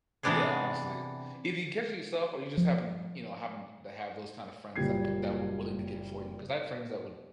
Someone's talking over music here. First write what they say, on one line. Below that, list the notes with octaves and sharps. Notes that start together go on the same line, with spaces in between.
Yeah, honestly. If you catch it yourself or you just happen to m you know, happen to have those kind of friends that could that were willing to get it for you, 'cause I had friends that would
C3 E3 B3 D4 G4 G#4
F3
F#1 A#2 G3 G#6 C7